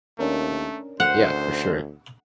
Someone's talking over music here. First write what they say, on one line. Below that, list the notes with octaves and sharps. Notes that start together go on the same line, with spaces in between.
Yeah, for sure.
D#2 A3 C#4 D4 A#4
D2 C5 F#5